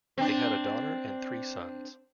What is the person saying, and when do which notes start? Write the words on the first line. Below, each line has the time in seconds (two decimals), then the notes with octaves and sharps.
They had a daughter and three sons.
0.18 C4 D4